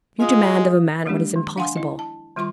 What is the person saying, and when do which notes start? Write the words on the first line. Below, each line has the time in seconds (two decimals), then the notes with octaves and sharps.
You demand of a man what is impossible.
0.20 G#3 F4 F5 D#6
1.06 F3 F#3 G#3 A#3 D4 G4
1.36 D#3
1.57 D4 F5 F#5 G#5 C6
1.76 E4 D#5
1.99 A5
2.36 D#3 G3 F4 C6 C#6